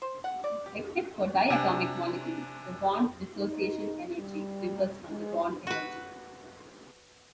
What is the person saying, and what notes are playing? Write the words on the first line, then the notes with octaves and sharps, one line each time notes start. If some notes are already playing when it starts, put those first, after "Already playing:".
Except for diatomic molecules, the bond-dissociation energy differs from the bond energy.
C5
F#5
D5
G4
C3 D4 G#5
D#4
G3
G#3
F#4 B4